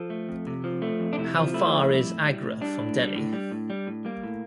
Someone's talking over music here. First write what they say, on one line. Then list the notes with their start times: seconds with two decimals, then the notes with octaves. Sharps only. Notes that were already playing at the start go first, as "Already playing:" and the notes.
How far is Agra from Delhi?
Already playing: F3 A4
0.10 A3
0.29 F2
0.47 C3
0.64 F3
0.82 A3
1.00 F2
1.13 D4
1.18 C3 E4
1.36 F3
1.54 A3 E4
1.72 F2
1.90 G3
2.07 A2
2.25 G3
2.43 A2
2.61 G3 D4
2.79 A2
2.97 G3
3.16 A2
3.33 G3
3.51 A2
3.70 G3
3.87 A2
4.05 G3 A#3
4.23 A2